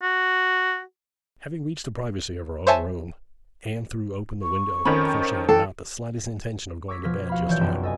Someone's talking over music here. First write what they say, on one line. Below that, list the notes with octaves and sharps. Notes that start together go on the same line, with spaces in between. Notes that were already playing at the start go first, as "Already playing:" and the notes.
Having reached the privacy of her own room, Anne threw open the window, for she had not the slightest intention of going to bed just yet.
F#4
C5 C#5 E5 G#5 A5
C#6
F2 D#3 C#4 B5
E3 A4 G5
C#6 D6 E6 G#6 A#6 B6
B2 F3 F6 G#6 A#6 B6
F#4 F5 B5
A#1 E3 C#5 D5 G6
F1 B1 F#2 B3 G5 E7
A4 D#5 G#5